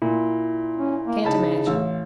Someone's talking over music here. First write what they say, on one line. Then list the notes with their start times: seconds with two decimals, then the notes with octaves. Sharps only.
"Can't imagine."
0.02 A#2 E4
0.77 C#4
1.07 A#3
1.25 C#3 D#4 A5 B5
1.67 A1 F5 E6